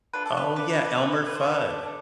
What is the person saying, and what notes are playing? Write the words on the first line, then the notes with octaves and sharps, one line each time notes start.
Oh yeah, Elmer Fudd.
A3 D4 F4 A4 B4
A4
B4
D4 A4 B4
B4
B4
D4 A4 B4
A4
B4
C5
D4 A4 B4
D4 A4